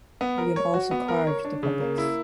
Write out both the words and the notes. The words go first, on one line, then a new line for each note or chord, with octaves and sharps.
William also carved the puppets.
B3
A#4
C#5
F#4
B3
A#4
C#5
D4
C#3
A#3
E4